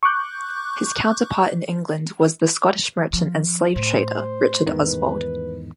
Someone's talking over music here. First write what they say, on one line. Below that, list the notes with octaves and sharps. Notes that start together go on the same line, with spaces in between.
His counterpart in England was the Scottish merchant and slave trader Richard Oswald.
C#6 D6 F#6 G6
F3
A2 C5
E2 G#2 D#3 B4